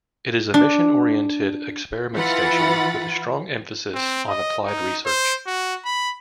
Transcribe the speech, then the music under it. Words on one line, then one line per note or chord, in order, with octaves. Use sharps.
It is a mission-oriented experiment station with a strong emphasis on applied research.
D4
E3 F4 F#5 B5 A6
C4
D#5
D#4
C5
F#4
B5